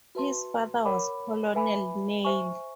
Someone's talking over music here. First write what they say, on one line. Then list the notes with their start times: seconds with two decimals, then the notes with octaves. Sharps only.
His father was Colonel Neill.
0.15 F#4 B4 E5 A5 C6
0.85 A#4 C#5 F#5 B5 D6
1.55 B4 E5 G#5 B5 D6
2.25 C5 E5 G#5 C#6